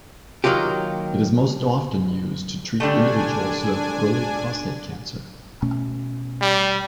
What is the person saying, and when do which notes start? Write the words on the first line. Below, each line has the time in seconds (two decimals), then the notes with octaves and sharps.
It is most often used to treat individuals who have early prostate cancer.
0.44 D#3 F#3 A#3 F4 G4
2.80 D3 G3 A3 D4 G#5
5.62 B2 A3 C#4
6.41 G3